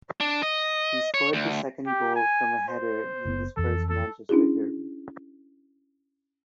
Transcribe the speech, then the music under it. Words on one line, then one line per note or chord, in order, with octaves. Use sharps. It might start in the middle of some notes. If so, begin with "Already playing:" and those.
He scored the second goal from a header in his first Manchester derby.
D4
D#5
C#5
D2
G4
G#5
C5
F#1 A#2 B3
F2 E3 A4
A4
C#4 D4 E4 F#4 G#4